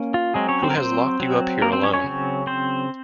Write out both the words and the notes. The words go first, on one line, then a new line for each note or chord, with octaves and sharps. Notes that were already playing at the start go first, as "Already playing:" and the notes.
Who has locked you up here alone?
Already playing: A#3 C#4
F4
F#3 G#3 C4 G#4
C#4 C#5
C4 C5
A#4
C4 C5
F#3 C4
A#3 A#4
C4 C5
C#4 C#5
C#4 C#5
C#3 F#3 C4
C4 C5